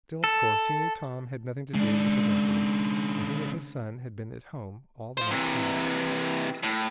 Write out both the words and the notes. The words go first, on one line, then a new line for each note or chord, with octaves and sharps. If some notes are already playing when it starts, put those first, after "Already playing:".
Still, of course, he knew Tom had nothing to do with the robbery, and he knew his son had been at home all the night previous.
A4
C#3 G#3 D4
F4 C5
C3 E3
A2